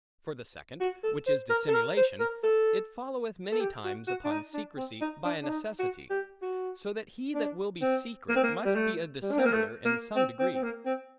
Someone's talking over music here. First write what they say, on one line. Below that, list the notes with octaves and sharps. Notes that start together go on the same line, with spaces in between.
For the second, which is dissimulation; it followeth many times upon secrecy, by a necessity; so that he that will be secret, must be a dissembler in some degree.
F#4
A4
C5
A#4
A4
A#4
C5
A#4
A4
A4
G4
F#4
F#4
D4
D#4
D4
C4
D#4
D4
D4
D#4
F#4
G4
F#4
D4
C4
A#3
C4
A#3
G3
A3
G3
D4
C4
A#3
A3
A#3
C4
C4
C4
A#3
C4